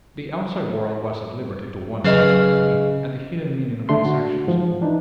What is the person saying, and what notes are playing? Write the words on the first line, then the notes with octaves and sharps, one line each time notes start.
The outside world was at liberty to wonder respectfully at the hidden meaning of his actions.
C#3 F#3 B4 D#5 F5
D3 A3 C6
F#4
G#2 F3
E3 D4 D#4